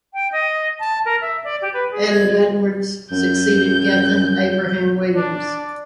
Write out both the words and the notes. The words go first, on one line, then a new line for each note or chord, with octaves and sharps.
Aled Edwards succeeded Gethin Abraham-Williams.
G5
D#5
A5
A#4
E5
D5
G4
B4
G#4
G#6
F#2 G6
D4 D5